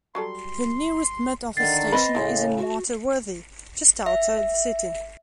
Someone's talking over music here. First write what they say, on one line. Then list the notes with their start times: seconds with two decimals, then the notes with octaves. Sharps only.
The nearest Met Office station is in Martyr Worthy, just outside the city.
0.15 F#3 G3 A4 C6
1.57 D3 D#3 A6 C7
1.92 C4 B4 D#5 B5
2.15 A2 C#3 G#3 E4
2.57 F#4
4.06 E5